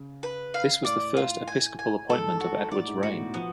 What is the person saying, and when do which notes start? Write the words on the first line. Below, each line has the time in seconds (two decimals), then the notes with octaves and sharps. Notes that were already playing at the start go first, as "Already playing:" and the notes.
This was the first episcopal appointment of Edward's reign.
Already playing: C#3
0.23 B4
0.54 F5
0.85 A2 D5
1.17 F4
1.48 G#5
1.79 G#5
2.10 G#2 A4
2.40 F#4
2.71 A2 D5
2.87 G#2
3.03 A2 F#4
3.18 B2
3.34 F3 B3